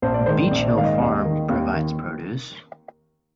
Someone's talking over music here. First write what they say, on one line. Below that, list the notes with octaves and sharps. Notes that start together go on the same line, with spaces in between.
Beech Hill Farm provides produce.
A#1 C5
D5
G#2 D#3 C5
A#1 D5
D5
G#2 D#3 F5
D#5
D#2
D#3
D#2
D#3